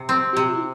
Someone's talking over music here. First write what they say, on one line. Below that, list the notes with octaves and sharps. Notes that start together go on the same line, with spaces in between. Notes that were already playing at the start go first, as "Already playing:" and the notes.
He need
Already playing: C3
C4
C3